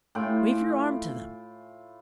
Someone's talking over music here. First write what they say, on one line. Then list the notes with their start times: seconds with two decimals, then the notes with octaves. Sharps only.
"Wave your arm to them."
0.15 A2 F4 G5 G#5